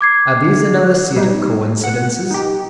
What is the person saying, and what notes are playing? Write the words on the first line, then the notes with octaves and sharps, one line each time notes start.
Are these another set of coincidences?
D6 G#6 C7
D3
G3 D#4
F#5
D#4 G4